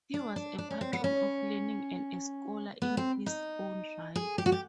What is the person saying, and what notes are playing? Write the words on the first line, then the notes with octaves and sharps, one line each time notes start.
He was a patron of learning and a scholar in his own right.
D4
D4
D4
C#4
C4
B3
C#4
B3
C4
D#4
G#4
G4
F#4
G4